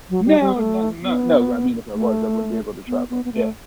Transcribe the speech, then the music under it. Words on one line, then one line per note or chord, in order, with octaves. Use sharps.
No, no, no, no, I mean, if I was, I wouldn't be able to travel. Yeah.
F#3
G3
G3
A3
B3
A3
B3
B3
B3
A3